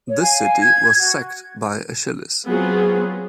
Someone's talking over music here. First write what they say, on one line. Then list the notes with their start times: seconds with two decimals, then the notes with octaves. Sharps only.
This city was sacked by Achilles.
0.08 C#5
0.21 F5 G#5
0.59 G#6
0.96 F#4
2.47 F#3 B3 C4 F4 G#4